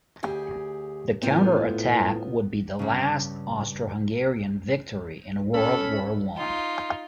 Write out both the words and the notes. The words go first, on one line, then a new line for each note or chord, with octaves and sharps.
The counterattack would be the last Austro-Hungarian victory in World War One.
D2 G4 G#4
A2 B3 C4 F4
G2 C#3
C#4 A4 B5
D#4 F4